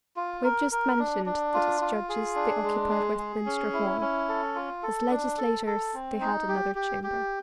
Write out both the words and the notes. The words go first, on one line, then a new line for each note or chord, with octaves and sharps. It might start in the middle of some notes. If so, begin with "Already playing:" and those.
We have just mentioned that as judges they occupied Westminster Hall; as legislators, they had another chamber.
F4
A#4
A#4
D4
D4
F4
F4
G#4
D4
G#3
G#4
G#4
C#4
E4
C#4
A4
F4
A4
D4
A4
A4
C4
D#4
G4
G4
G4